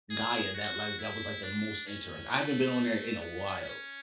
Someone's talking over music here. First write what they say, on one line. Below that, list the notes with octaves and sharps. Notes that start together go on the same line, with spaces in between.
Gaia, that, like that was, like, the most interest I haven't been on there in a while.
G#4
F#4
E4
D4
C#4
A3
B3
C#4